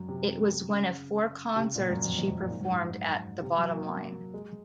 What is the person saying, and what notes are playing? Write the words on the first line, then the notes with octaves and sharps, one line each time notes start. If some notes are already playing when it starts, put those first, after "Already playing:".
It was one of four concerts she performed at The Bottom Line.
Already playing: F#2
C3
C#3
C3
C#3
A#2
F#2
F2
F2
F#2
A#2
G#2
F#2
G#2
C3
F#3
A#3
G#3